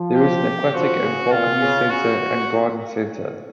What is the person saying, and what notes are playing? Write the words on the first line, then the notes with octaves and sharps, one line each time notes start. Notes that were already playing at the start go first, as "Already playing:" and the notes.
There is an aquatic and falconry centre and garden centre.
Already playing: F3
G4
F3 F#4
C#3
A#2 F4
C#3
C#3 F#4